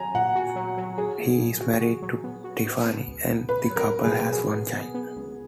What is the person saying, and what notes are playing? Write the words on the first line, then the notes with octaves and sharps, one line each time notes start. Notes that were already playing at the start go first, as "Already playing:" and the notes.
He is married to Tiffany, and the couple has one child.
Already playing: F#3 F#4 G#5 A#5
A#2 F#5
F#4
F#3
F#3
F#3 G#4
A#2
A#2
F#4
F#4
F#3
B3
F#4
B3
B3
C#2
B3
B2 B4
F#3
A#4
F#3
G#4
B2
F#3 G#4
B3
B3
B3
C#2